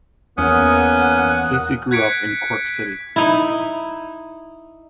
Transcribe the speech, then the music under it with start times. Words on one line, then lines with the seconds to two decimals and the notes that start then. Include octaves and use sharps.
Casey grew up in Cork City.
0.38 E2 A#3 B3 C#4 F#5 D#6
1.91 F#6 G#6 B6 C#7 D7
3.16 D#4 E4